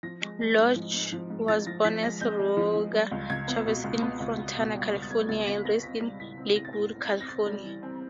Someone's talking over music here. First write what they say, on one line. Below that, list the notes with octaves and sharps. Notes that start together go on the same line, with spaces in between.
Lodge was born as Roger Chavez in Fontana, California and raised in Lakewood, California.
F3 A#6
G#3
G#3
G#2
F3
G#2
F3
G#2
F3 A6
F3 A#6
F3 B6
G#3 A#6
G#3 G6
G#3
F3
F3
G3
C#2
C#2 G#6
B3
B2
C#2
B3
C#2
C#2
B2
G3
C#2
A6
G3 G#6
C#2 A6
C#2 B6
B3 A#6
C4 B6
G3
A2 B6
C4
A2 A#6
A6
A2 A#6
A2
C4
A#6
C4 A6
G3
E3
C4